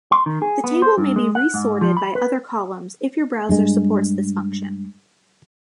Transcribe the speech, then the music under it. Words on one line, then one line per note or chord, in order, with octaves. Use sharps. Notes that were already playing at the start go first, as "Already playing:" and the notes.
The table may be resorted by other columns if your browser supports this function.
C6
D#3
G#4
B3
C5
G2
G#3
F#5
G#2
F3
B5
B4
G2 G#3